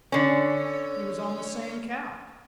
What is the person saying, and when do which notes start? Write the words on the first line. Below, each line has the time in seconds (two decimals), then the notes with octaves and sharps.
He was on the same couch.
0.12 D3 C#4